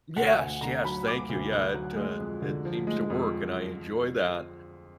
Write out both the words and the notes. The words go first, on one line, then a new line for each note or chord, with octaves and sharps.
Yes, yes, thank you. Yeah, it, uh, it seems to work and I enjoy that,
D2 F#5
D2 G#5
D3 A#5
F#3 B5
D2 D6
D2
D3 F#6
F#3
G#3
F2
D3
F3
G#3
F2